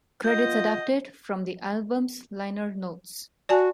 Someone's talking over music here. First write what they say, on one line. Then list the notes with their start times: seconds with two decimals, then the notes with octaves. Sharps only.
Credits adapted from the album's liner notes.
0.24 F4 D#5 F#5 G6
3.49 F#4 D5 G#5 A5